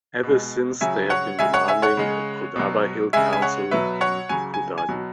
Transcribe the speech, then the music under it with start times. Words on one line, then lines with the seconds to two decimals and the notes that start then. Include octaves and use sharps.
Ever since they have been demanding a Kodava hill council in Kodagu.
0.23 B2 G#3
0.81 C#3 F#3 E5 G#5
1.10 C#5 F#5
1.39 C#3 G#3 E5 G#5
1.54 C#5 F#5
1.68 E5 G#5
1.82 C#5 F#5
1.97 C#3 G#3
2.56 B2 F#3
3.13 C#3 G#3 E5 G#5
3.33 G#5
3.42 C#5 F#5
3.71 B2 F#3 B4 E5
4.01 C#5 F#5
4.29 C#3 F#3 G#5
4.54 G#5
4.78 G#5
4.89 B2 F#3